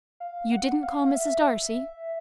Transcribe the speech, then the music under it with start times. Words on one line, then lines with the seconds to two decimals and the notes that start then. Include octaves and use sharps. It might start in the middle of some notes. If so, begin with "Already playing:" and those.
"You didn't call Mrs. Darcy?"
0.20 F5
0.51 F#5
0.83 F5
1.06 F5
1.14 E5